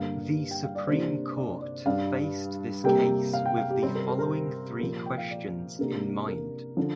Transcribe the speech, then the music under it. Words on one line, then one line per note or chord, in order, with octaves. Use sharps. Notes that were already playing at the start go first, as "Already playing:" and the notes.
The Supreme Court faced this case with the following three questions in mind.
Already playing: G2 D3 A#3 F5
G5
F5
D5
C3 A#3 D4 C5
D5
D5
G2 G3 D4 F5
C3 G3 A#3 G5
F5
G5
F5
G4
C3 G3 C4 C5
A#4
A#4
A#4
A#2 F3 A#3 A#4
G5
F5
D5
C3 A#3 D4
A#4
D3 F3